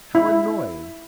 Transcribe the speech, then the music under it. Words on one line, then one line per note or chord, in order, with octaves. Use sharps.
'How annoying!
E4